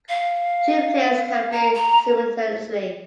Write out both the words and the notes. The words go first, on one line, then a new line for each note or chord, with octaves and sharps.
Two players can play simultaneously.
F5
A#5
A#5